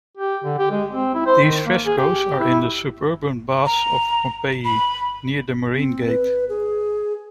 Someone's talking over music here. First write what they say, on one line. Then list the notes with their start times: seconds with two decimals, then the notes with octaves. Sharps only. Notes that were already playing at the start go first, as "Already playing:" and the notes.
These frescoes are in the "Suburban Baths" of Pompeii, near the Marine Gate.
0.17 G4
0.44 D3
0.58 G4
0.71 G#3
0.91 C4
1.15 E4
1.26 C5
1.43 D#3
1.66 A#3
1.86 G#4
1.98 G4
2.40 E4
3.66 A#5
4.65 B5
5.74 C4
6.07 B4
6.49 G#4